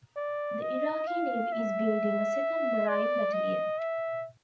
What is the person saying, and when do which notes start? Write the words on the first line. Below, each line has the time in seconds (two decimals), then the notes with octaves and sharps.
The Iraqi Navy is building a second Marine battalion.
0.16 D5
0.61 D#5
1.07 F5
1.53 E5
2.88 D5
3.33 D#5
3.79 E5